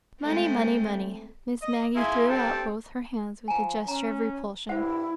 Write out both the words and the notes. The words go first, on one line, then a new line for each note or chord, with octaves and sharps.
"Money, money, money!" Miss Maggie threw out both her hands with a gesture of repulsion.
G#3 A3 C4
D#5
E4 F4 G#4 E5 A#5 C6
G2 C4 G4 A4 C5 A5
F3 G#5 A#5
C#4 A#5
G2 E4 C5 E5 F#5